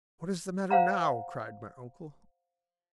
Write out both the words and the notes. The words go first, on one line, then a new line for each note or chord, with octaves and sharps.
"What is the matter now?" cried my uncle.
C5 F5 F#5 A#5